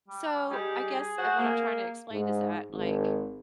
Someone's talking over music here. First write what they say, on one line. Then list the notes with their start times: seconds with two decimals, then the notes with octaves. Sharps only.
so, I guess, uh, what I'm tryna explain is that, like,
0.08 G3
0.50 G3 D#4 G4 G#4
1.18 F#4 C5 F#5
1.39 A#3
2.11 G#2
2.71 G#1